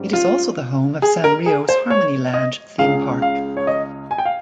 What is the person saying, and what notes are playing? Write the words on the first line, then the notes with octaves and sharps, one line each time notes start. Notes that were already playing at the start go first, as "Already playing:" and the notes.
It is also the home of Sanrio's Harmonyland theme park.
Already playing: G#2 G3 C#4
F4
G#4
A#4
G#4
C5
C#5
D#5
C#2 C#3 G#3 F5
F5
C#5
D#5
G#5
G5
F5